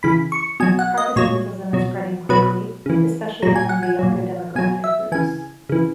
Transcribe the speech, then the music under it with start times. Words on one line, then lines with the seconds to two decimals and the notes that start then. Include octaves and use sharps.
Protestantism is spreading quickly, especially among the younger demographic groups.
0.03 C#3 E3 B5
0.32 C#6
0.60 B2 F#3 G#5
0.79 F#5
0.98 D#5
1.16 A#2 F#3 C#5
1.73 B2 F#3
2.29 B2 F#3 B4
2.86 C#3 E3
3.42 A#2 F#3 A#5
3.55 G#5
3.69 F#5
3.83 G#5
3.99 A#2 F#3
4.55 B2 F#3 G#5
4.84 E5
5.12 C#3 E3 G#5
5.69 C#3 E3